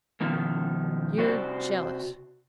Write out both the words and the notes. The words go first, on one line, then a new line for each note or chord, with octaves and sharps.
"You're jealous!"
F#2 B2 D#3 F3
C3 F#4 C5 D5